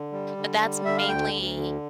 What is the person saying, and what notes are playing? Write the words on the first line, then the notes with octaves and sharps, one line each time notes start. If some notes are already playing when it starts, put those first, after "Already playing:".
But that's mainly,
Already playing: D3
G3
D3
G3
D3 E5
F5
D2 G5
D2
D3